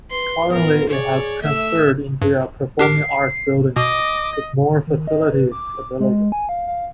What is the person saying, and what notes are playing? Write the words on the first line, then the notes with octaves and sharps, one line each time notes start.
Currently it has transferred into a Performing Arts building, with more facilities available.
B4 C6
B3 F4 A#4
G#4 C#5 D5
A3 E5 E6
G2
D4 G4 A#4 C7
B2 D#5 D6
D#3
D#5
B4
D6
G#3
G#5
F5
F5